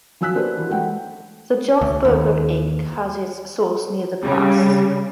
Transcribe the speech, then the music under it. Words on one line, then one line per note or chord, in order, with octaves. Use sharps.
The Jochberger Ache has its source near the pass.
F3 F#3 G#5 E6 F#6 B6
A#3 D4 G4 B4 C5
E3 F#4
G#3 A3 G#4 F#5 G5
D2
D#2
C#3 G3